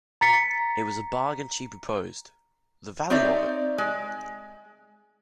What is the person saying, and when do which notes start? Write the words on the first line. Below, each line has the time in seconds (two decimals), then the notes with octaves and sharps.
It was a bargain she proposed — the value of it!
0.21 A#5 A6 B6 C#7
3.10 C4 D#4 C#5 D5 E5
3.78 G#3